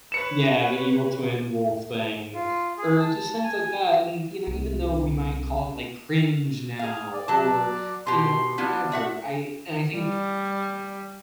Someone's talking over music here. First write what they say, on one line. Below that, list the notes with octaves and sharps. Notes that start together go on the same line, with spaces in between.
Yeah, the evil twin wolf thing, or just things like that, and, you know, even though we might call it, like, "cringe" now or, you know, whatever, I and I think
B4 C#5 C#7 E7
F4
G#4
A5
G#5
C2
G#4 F5
D5
F#3 D5 A5
B2 G4 C6
B3 D4 E4 F4
F#4 E5 F#5
G3